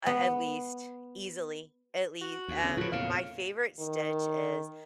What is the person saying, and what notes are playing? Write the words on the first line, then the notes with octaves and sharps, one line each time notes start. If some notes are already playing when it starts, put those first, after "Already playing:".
At at least, easily. At lea Um, my favorite stitch is
B3
F#4
D2
C#3
A2 C#3 F3 F#4 B4
F1 E2 A#2 C#3 F5
D#3